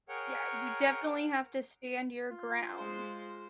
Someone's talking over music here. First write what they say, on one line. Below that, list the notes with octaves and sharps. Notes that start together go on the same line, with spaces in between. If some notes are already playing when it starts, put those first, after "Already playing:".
Yeah, you definitely have to stand your ground.
G#4 A#4 C#5 F#5 G5
F4
G#3 C5